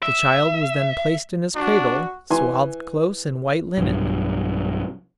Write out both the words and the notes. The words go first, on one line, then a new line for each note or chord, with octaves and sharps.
The child was then placed in his cradle, swathed close in white linen.
E5
D4 F#4
E3 G#5 C6
B1 G2